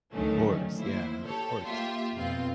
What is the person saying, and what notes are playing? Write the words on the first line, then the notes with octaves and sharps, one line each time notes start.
Of course. Yeah. Of course.
D2 G2 D#3 F#3 A3 C#4
A#3 E4 C5
G4 A4 C#5
A#3 F4 G4 E5
F2 B2 B3 C4 F4